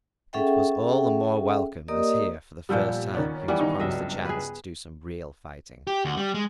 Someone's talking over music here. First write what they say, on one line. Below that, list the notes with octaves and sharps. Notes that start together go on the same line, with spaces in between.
It was all the more welcome as here, for the first time, he was promised a chance to do some real fighting.
C#4 G#4 A4 E5 F#5 G5
A#3 G4 A#4 D5 D#5 D#6
A#2 F3 G3 B3 E6 G6
D#3 B3 C#4 D5
E3 G3 B3
G#1 D#4 C#6
C#2 G2 F#3 D#5 E5
G#4 B4
G4
D2
G3
G#3